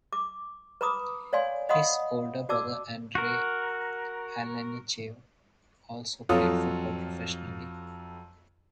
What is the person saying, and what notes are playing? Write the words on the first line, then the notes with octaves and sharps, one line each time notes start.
His older brother Andrei Alenichev also played football professionally.
D6
B4 A#5 B5 D6 D#6
C#5 D5 F5 G#5 C6
D#5 F5 F#5 B5 C6 D#6
F#4 D5 A5 D6 E6
F#4 A#4
F2 F#3 F4 A4 D#6